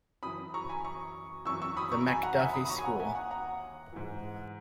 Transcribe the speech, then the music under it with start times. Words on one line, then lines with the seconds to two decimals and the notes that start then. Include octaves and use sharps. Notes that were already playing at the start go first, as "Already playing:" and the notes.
The MacDuffie School.
0.23 F#2 E3 B5 D#6
0.54 A#5 C#6
0.69 G#5 B5
0.84 A#5 C#6
1.46 F#2 E3 C#6 E6
1.62 C#6 E6
1.77 B5 D#6
1.92 A#5 C#6
2.07 G#5 B5
2.23 F#5 A#5
2.33 A#5
2.39 E5 G#5
2.53 B5 D#6
2.65 B5
2.69 D#2 D#3 A#5 C#6
2.79 G#5
2.84 F#5 A#5
3.00 E5 G#5
3.15 F#5 A#5
3.31 F#5 A#5
3.92 G#2 E3